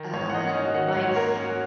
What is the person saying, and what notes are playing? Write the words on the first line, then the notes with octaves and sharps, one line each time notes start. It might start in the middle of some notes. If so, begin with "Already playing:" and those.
uh, likes
Already playing: D#3
G#2 C#5
F#5
A#3 D#5
C#4
C#4 D#4
F#4
D#3 F#5
F#5
G#2
C#5
A#3 A#4
C#4
F#4